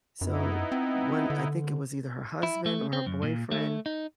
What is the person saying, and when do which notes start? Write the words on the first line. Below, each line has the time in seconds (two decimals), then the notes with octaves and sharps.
So, one I think it was either her husband or her boyfriend
0.21 F#2 B3 D#4 E4
0.72 C4
1.30 D3
2.43 E4
2.66 A3
2.93 C4
3.06 F#2
3.23 A#2
3.52 A3
3.86 D#4